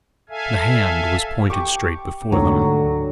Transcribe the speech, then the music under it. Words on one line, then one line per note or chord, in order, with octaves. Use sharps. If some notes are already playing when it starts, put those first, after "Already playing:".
The hand was pointed straight before them.
A4 E5 F5 G#5
G4 C#6 D6
D2 G#2 D3 F#3